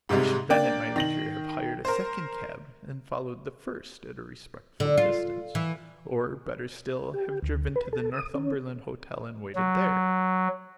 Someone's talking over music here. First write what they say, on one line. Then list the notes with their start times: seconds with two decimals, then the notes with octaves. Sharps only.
I should then at my leisure have hired a second cab and followed the first at a respectful distance, or, better still, have driven to the Northumberland Hotel and waited there.
0.09 G#2 C3 G3 G#3
0.50 A#3 D4 D5 G5
0.96 D#3 A#6 F#7
1.85 A#4 C5
4.80 D3
4.98 F4
5.55 E3
7.14 G4
7.42 D2
7.76 B4
7.93 A4
8.14 D#6
8.35 C#4
9.55 F#3